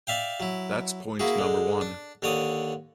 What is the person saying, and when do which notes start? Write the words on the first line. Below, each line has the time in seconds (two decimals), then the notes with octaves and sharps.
That's point number one.
0.07 D5 E5 F5 G5
0.40 F#3 E4
1.19 A#3 E4 F#4 G#4
1.38 D3 G#3
1.81 D4
2.22 D#2 D3 C#5 D5 D#6